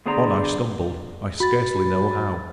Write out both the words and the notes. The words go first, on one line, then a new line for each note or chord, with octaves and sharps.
On I stumbled, I scarcely know how.
D3 B3 G#4 C5 D5 A#5
F#4 B5 A6